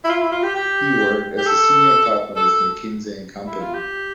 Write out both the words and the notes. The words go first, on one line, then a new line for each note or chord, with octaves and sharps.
He worked as a Senior Partner with McKinsey and Company.
E4
F4
E4
F4
G4
G4
G4
A4
A4
E4
F4
G4